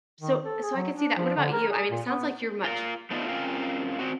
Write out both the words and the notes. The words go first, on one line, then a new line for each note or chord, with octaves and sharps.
so so, I could see that. What about you? I mean, sounds like you're much
D#3
A4
G#4
F#3
D4
F3
D3
A#4
G#4
A#2
B3
F4 A#4
A3 B3 D4 D#4 F4
C4 C#4 F4 A#4 F5 G5
C4 F#4